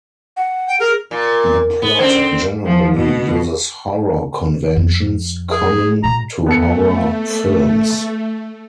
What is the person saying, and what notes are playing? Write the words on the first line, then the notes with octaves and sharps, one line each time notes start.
The plot generally uses horror conventions, common to horror films.
F#5
G5
G#4 A#4
A#2
B3
D3 C4 C#4 C5
F3
B2
F2
G#4
A#2 G#3 A#5
A3 B3 A4 C#7